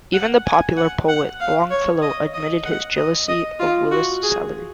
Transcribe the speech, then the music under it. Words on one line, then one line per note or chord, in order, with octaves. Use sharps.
Even the popular poet Longfellow admitted his jealousy of Willis's salary.
F#5
G#5
F#5
F#5
F5
C#5
D#5
D#5
F#5
D#5
D#5
F4
F#4
G#4